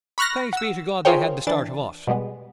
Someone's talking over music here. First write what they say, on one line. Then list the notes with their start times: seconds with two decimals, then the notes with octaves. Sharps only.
Thanks be to God they had the start of us.
0.18 B5 C#6 F6 F#6 A#6
0.53 F#5 E6
1.05 F4 G#4 A#4 C5 C#5 G5
1.47 E3 D4 A6
2.07 B2 G3 G#3 B3